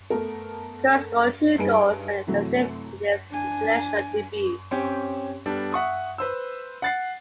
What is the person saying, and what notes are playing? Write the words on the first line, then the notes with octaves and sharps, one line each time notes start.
Kurri scored two goals and an assist in his international debut.
A3 B3 A4 A#4
G2 D#4 G#4 B4 D7
C3 E3 F#3 A3
D4 G#5
C4 C#4 G4
G3 B3 D4 A4
E5 F#5 C#6 D#6
B4 C5 E6
F#5 A6 C7